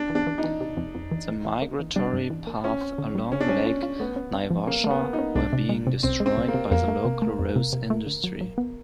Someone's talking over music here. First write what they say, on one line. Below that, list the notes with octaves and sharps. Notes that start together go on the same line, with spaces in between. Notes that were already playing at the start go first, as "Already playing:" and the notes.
The migratory paths along lake Naivasha were being destroyed by the local rose industry.
Already playing: D4
E3
D4
E3
D#4
E3
C3
F2
F2
E3
E3
E3
A#3
E3
G3 D4
G2
E3
A#3
C#4 F4
C4
D3
G3
D3 C#4
D4
G3 C#4
F4
F4
A3 B3
C#4
C#4
F3
A#3 C#4
A3
B3
C#4
D#4
C#4
C2 D4
C3
G#3
C3
C2 C4
G#3
C4
C2
A#3
C3
F2 A#3
A3
C3
A3
F2
C3
C3
A3
D3
F#3
F#3
B3